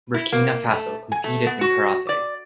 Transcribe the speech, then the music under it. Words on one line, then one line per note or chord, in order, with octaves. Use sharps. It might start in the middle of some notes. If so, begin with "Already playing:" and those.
Burkina Faso competed in karate.
E4
A#3
A3
G#5
A3
B3
F#4
D5